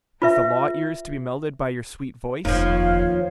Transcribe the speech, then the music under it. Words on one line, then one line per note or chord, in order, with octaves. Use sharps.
Has the law ears to be melted by your sweet voice?
F4 B4 E5
F1 D#2 F3 C#5 F5